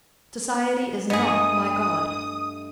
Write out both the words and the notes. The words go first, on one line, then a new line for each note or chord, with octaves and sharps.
Society is not my God.
G2 A3 B3 G#4 D#5 D#6